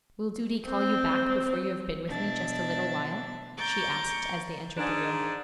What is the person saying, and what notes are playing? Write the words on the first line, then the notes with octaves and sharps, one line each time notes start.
'Will duty call you back before you have been with me just a little while?' she asked as they entered the room.
C4
B2 D4 E5 A6
A#5 C#6 D6 G6 A6
G#2 D4